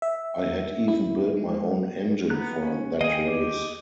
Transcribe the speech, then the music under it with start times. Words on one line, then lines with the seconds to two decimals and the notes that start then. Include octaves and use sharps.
I had even built my own engine for that race.
0.02 E5
0.88 E4
1.37 G#3
2.30 B3 A#5 F#6
2.63 C#4
3.01 D#2 G#4 D#5 F5 G5 G#5
3.28 G4